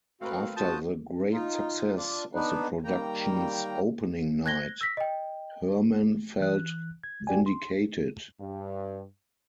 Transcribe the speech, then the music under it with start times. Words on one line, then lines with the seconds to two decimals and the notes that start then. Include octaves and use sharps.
After the great success of the production's opening night, Herman felt vindicated.
0.21 A3 C4 F#4 A#4 B4 F5
0.57 F4 F#4 A5 D#6 G6
1.33 D#4 F4
1.97 D4 F4 D5
2.35 B3 D4 D#4 B4
2.84 D#3 G3 A#3 G5 A#5
4.46 F#6 G#6 A#6 G7
4.81 E6 A#6 B6
4.97 D#5 G5
6.41 E3 F#6
7.04 G#6
7.27 F#4 G4 D5 G5 G#5
7.46 C6
8.40 G2